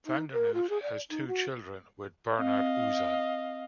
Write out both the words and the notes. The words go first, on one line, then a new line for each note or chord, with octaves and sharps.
Vandernoot has two children with Bernard Uzan.
D#4
A#4
F4
G#4
D5
D#4
F#4
C4 D#5 F5